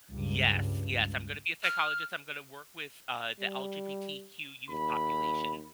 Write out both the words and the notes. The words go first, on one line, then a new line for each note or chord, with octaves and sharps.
Yes, yes, I'm gonna be a psychologist. I'm gonna work with the LGBTQ youth population,
C#2 G2
F6
G3
D#2 B5